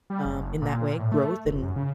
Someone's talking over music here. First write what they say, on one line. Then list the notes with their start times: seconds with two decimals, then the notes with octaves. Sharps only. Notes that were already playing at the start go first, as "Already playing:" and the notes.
um, in that way, growth and
0.10 G3
0.25 F#1
0.62 A#2
0.99 A2
1.12 A3
1.45 F1
1.62 F#2
1.76 C#3